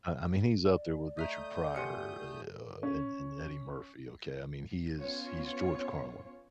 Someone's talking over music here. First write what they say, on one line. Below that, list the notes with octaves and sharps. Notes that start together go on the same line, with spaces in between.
I I mean, he's up there with Richard Pryor, eh, uh, and and Eddie Murphy, okay? I mean, he is he's George Carlin,
D5
A3 D#5 E5 A#5 D#6 G6
G4 F#5 G#5 C6 C#7
C#4
B3 C#4 F4 C#5